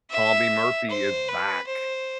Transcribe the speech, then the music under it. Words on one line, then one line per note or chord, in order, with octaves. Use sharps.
Tommy Murphy is back.
E5
C5
B4
C5